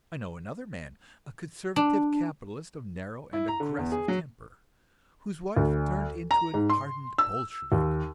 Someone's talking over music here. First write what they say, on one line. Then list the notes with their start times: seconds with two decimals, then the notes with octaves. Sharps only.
I know another man, a conservative capitalist of narrow and aggressive temper, whose wife turned into an ardent Bolshevik.
1.76 D4
3.33 E4
3.48 A#5
3.60 D3
3.78 E2
3.92 G#4
4.08 F#3
5.57 D2
6.31 A#5
6.54 G#2
6.70 C6
7.18 E6
7.72 D#2